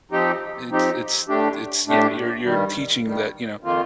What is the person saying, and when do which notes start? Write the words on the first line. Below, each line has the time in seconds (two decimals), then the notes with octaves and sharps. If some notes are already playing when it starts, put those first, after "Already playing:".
it's it's it's yeah, you're you're teaching that, you know,
0.11 F3 C4 D#4 G4
0.70 F3 C4 D#4 G4
1.28 A2 A3 D4 G4
1.86 A2 A3 D4 G4
2.44 G2 D#3 G3
3.02 G2 D#3 G3
3.61 F2 D#3 A#3 F4